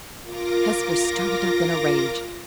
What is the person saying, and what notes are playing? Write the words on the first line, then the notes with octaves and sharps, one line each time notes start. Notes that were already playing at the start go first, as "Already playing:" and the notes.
Hesper started up in a rage.
F4 A#4 D6 A#6